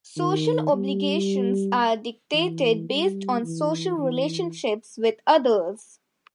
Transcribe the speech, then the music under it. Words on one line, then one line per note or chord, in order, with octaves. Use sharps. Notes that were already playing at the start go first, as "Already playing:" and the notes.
Social obligations are dictated based on social relationships with others.
D#3
G3
E3
G3
E3
E3